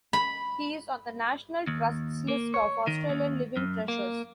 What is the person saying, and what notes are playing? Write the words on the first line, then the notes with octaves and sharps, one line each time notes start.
He is on the National Trust's list of Australian Living Treasures.
B5
D#2
A#3
C#5
D#3
D#2
F#2
A#3